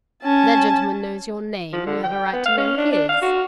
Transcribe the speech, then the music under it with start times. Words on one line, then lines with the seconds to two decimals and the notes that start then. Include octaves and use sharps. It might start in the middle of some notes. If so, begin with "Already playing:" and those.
That gentleman knows your name, and you have a right to know his.
0.23 C#4 A5
1.73 F3
1.87 D3
2.04 G5
2.33 B3
2.46 F5
2.57 C#4
2.78 D4
2.92 D4
3.09 F5
3.22 F#4